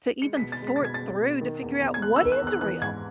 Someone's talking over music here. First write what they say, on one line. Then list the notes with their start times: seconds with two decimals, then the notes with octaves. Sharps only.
to even sort through to figure out what is real.
0.22 G#3 C#7
0.37 B6
0.42 B2
0.52 A6
0.62 G#3 B6
0.76 A6
0.81 B2 G#6
0.94 A6
1.02 G#3
1.22 B2
1.41 D#3
1.62 E2
1.81 E2
1.94 G#6
2.02 G#3 F#6
2.16 D#3 E6
2.32 F#6
2.42 E2 F#6
2.61 E3 F#6
2.82 G#2 G#6